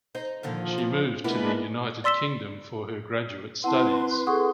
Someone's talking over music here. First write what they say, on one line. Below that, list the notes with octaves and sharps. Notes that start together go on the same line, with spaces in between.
She moved to the United Kingdom for her graduate studies.
D#4 C5
A#2 D3 D#3 F3
E3
G#3 A#3 B3 D4 E4 B4
D5 C6 E6 B6 E7 G7
C4 E4 B4 F#5 A5 C6
G#4 A4 F#5 C#6 D#6